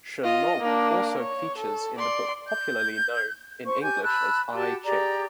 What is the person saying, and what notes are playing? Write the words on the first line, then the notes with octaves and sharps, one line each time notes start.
Shennong also features in the book popularly known in English as "I Ching".
F4 D#5
A#3 D4
C#5
A4
D5 C6
G6
C5 C#6
G4 G#5 G6
A5 B5 E6 F#6
F#4 G4 A5
G4 G#4 D5 A#5